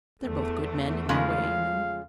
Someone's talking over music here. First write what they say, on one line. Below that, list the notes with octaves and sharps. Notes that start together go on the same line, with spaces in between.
"They're both good, men in their way, you know."
E2 A3
C#3 F3 G#3 F5